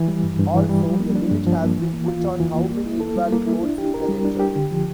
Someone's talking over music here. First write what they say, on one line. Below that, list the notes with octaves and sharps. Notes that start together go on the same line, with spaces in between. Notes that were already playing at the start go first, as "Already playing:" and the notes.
Also, a limit has been put on how many invalid codes you can enter.
Already playing: E3
G3
G2
G2
E3
G3
F3
A#3
D4
G2
F3
A#3
E3
A#3
F4
E2
E3
A#3
A#3
E4
A4
G3
A#3
E4
D4
G4
A#4
G3
D4
G4
D3
F3